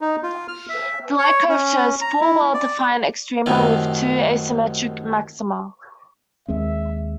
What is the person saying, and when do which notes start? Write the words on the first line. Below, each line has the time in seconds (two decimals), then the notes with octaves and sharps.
The light curve shows "four well defined extrema with two asymmetric maxima".
0.01 D#4
0.23 F4
0.48 F6
0.69 E5
1.18 C#5
1.49 C#4
2.01 A#5
2.21 E4
2.54 D5
3.46 F#2 A2 C3 D#3
6.48 D#2 G#3 C4 E5